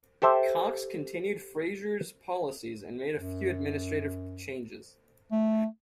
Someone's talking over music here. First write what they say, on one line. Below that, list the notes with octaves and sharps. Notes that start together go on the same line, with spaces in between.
Cox continued Frazier's policies and made few administrative changes.
G4 A4 C5 E5
F#2
A3